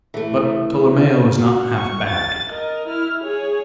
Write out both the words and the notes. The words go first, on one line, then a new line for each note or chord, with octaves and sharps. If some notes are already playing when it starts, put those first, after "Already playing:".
But Tolomeo is not half bad.
E3 A3
F#4
C#6
A6
A#4 D#5
E4 F6
G#4 C#5